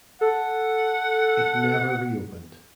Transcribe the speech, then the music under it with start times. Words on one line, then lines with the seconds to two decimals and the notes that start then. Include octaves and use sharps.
It never reopened.
0.21 A4 F#5